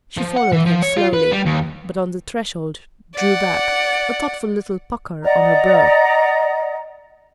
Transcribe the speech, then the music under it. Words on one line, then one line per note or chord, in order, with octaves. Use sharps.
She followed him slowly, but on the threshold drew back, a thoughtful little pucker on her brow.
F3
F#5
E3
F3
C#5
F4
B4
G3
D#2
D5 F#5
D5 D#5 F#5 A#5